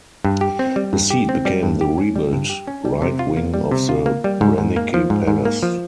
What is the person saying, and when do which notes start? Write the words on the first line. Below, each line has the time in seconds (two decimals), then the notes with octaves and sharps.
His seat became the rebuilt right wing of the Branicki Palace.
0.25 G2
0.41 G4
0.59 C4
0.76 G3
0.93 G2
1.10 G4
1.29 C4
1.45 G3
1.63 G2
1.81 G4
1.98 C#4
2.16 G3
2.33 G2
2.49 G4
2.67 C#4
2.85 G3
3.02 C3
3.19 F4
3.37 A#3
3.54 G3
3.71 C3
3.89 F4
4.06 A#3
4.24 G3
4.41 G#2
4.58 G#2
4.76 A#3
4.94 F3
5.10 G#2
5.27 G#2
5.45 A#3
5.63 F3